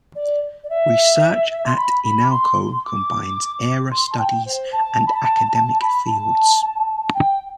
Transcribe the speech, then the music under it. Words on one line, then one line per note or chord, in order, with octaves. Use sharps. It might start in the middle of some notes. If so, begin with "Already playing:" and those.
Research at Inalco combines aera studies and academic fields.
D5
D5
E5
C6
B5
B5
C6
D6
C6
A5
G5
C5
A5
A5
B5
A5
A5
A5
B5
A5
G5